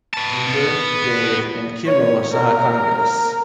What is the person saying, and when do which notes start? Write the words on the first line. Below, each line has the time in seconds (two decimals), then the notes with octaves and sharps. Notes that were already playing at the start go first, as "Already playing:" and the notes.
Weber, Dave, and Kimmo Sahakangas.
0.14 B3 A5
1.86 C#5
2.32 A#4